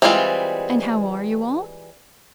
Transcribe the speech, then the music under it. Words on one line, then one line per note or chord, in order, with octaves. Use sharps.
'And how are you all?
E3 G3 G#3 C4 F4